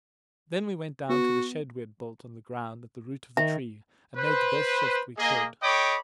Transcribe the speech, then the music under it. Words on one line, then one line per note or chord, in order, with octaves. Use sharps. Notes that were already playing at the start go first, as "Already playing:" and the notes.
Then we went down to the shed we had built on the ground at the root of the tree, and made the best shift we could.
B3 F#4
D#3 E5
B4 C5
A#3 G#4 D#5
A4 C#5 D#5 G5 B5 D6